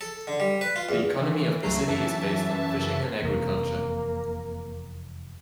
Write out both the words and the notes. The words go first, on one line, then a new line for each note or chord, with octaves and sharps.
The economy of the city is based on fishing and agriculture.
A4
D3
G3
B4
F4
E2
E3
C#2 F#3 A3 A#5 C7
F#2 E3 E5 A5
F1 E2 C3 A#3